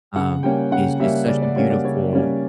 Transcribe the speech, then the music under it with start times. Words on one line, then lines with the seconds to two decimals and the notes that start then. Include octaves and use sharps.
um, is just such a beautiful,
0.16 C#3 F#5
0.43 G3 A#3 C#4 G5
0.72 C#3 F#5
1.00 G3 A#3 C#4 E5
1.28 C#3 D5
1.42 D5
1.56 G3 A#3 C#4 C#5
1.70 D5
1.84 C#3 C#5
2.13 G3 A#3 C#4